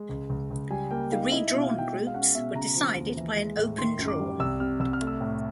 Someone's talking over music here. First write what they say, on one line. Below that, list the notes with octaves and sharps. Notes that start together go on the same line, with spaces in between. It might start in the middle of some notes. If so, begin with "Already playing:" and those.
The redrawn groups were decided by an open draw.
Already playing: G#3
C#2
C#2
C#2
G3 G#5
A#3 G5
D#4 F5
E4 D#5
B2 E5
F5
B2
G5
G#3
F5
C#4 F#5
B2 E5
C#3 A#5
F3
D#2
E3
G#3
A2
D#3 C6
F#2
D6
G3
C2 E6
C3 F6
C2 E6
F6
A3
E6
A2